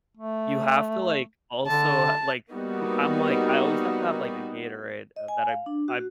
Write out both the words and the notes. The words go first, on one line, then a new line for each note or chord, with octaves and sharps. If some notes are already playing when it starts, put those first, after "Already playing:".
you have to, like, also, like, ooh I'm, like, I always have to have, like, a Gatorade, uh, that I I
A3
D3 A5
G3 A#3 B3 D#4 F#4
D#5
G#5
F5
D4
F#4